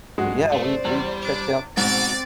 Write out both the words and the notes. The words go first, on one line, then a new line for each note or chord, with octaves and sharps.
but, yeah, we we checked out
G2 G#3 F#4
A3 C5 D5
E2 G3
D4 D6
G#2 B2 C4 F#4 D5